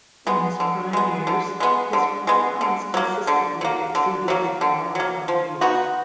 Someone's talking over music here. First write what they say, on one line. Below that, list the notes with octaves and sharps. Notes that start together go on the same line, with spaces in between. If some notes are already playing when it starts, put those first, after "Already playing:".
In his prime years his performance consistently exuded the aura of youth.
G#3 B3
D3
G#3 B3
D3
G#3 B3
D3
G#3 B3
D3
F#3 A#3
D3
F#3 A#3
D3
F#3 A#3
D3
F#3 A#3
F3
B3 D#4 F#4